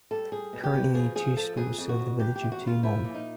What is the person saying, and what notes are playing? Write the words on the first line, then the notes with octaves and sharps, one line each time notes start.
Currently only two schools serve the village of Tumon.
G3 A4
G3 G#4
B2
G4
B2
F3 G#4
F3 G#4
F3 A4
F2 G#4
F2
F#4
F2
E2 G4
G4
E2
F#4
C#3
F4
F3 E4
A#2
D#4